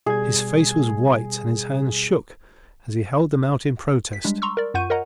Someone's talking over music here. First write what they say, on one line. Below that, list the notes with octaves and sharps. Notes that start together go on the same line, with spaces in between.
His face was white and his hands shook as he held them out in protest.
B2 G3 G#4 G#6
B6
G3 G#3 D4
A#5 C6 C#6 E6
A#4 D5
F#2 F4 F#5 C#6 G6 D#7
A#4 C#5 D#5 F#5 A#5